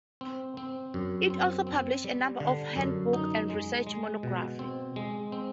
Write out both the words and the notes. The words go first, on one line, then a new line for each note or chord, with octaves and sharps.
It also publishes a number of handbooks and research monographs.
C4
C4
F#2
C4
C4
G3
D3
F#2
D#4
G#3
G#3
B2
C4
G#3
C4